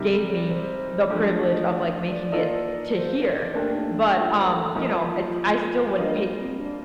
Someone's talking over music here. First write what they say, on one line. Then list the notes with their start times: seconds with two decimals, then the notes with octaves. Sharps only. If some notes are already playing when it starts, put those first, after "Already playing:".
gave me the privilege of, like, making it to here, but, um, you know, it's I still would hate
Already playing: C3 D#3 G3
0.08 A4
0.29 D5
0.49 C5
1.10 F3 A3 D4 A4
1.31 D5
1.51 D#5
1.72 D5
2.32 D#3 A#3 F4 A4 D#5
2.93 C5
3.23 D5
3.54 A#2 A3 D4 G4 A#4
3.74 D#4
4.15 F4
4.38 C5
4.46 A#4
4.55 A4
4.75 F3 A#3 D#4 F4
5.97 G3 A#3 D4 F4 C5 D#5
6.38 C4
6.59 D4